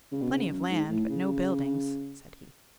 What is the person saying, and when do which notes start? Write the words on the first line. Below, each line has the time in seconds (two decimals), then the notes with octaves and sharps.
"Plenty of land, but no buildings," said he.
0.12 C#3
0.22 B2
0.31 C#3
0.50 F#2
0.70 G#2
0.89 A2
1.09 C#3